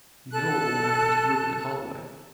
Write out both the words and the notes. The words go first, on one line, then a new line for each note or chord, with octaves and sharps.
You know what will happen to Reuben at Holloway.
A4 A5 F#6